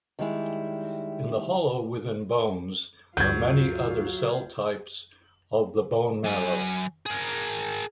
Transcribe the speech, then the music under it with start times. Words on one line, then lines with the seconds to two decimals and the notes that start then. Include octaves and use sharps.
In the hollow within bones are many other cell types of the bone marrow.
0.19 D#3 G3 G#3 E4
3.17 D2 G2 F#3 F4 F5 G6 G#6
6.24 F#3 G#5
7.06 G#4 A#4